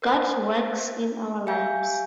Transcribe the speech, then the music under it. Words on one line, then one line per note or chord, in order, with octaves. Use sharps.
God works in our lives.
A#4 C5
G4 E5 F5 G#5 G6